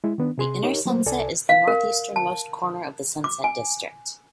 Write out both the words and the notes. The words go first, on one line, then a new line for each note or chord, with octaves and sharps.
The Inner Sunset is the northeastern-most corner of the Sunset District.
G#3 E4
D#3 B3 D4
C3 G#4 C6
D#4 G4 A#4 C#5
F#3 A3 A#3 C5
C2 A4 D5 G#5
F5
A#4
A5
D6
G#5